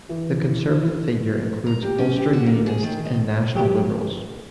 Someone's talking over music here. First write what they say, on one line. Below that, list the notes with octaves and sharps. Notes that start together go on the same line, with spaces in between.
The Conservative figure includes Ulster Unionists and National Liberals.
E3
A#5
G4
C#4
G4
F#4
A#3
G#4
D#3
D#5
A2 F#3 G4